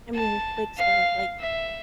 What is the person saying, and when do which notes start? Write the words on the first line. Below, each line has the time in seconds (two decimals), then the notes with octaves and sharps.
I mean, quick stuff, like,
0.14 A5
0.77 F5
1.40 E5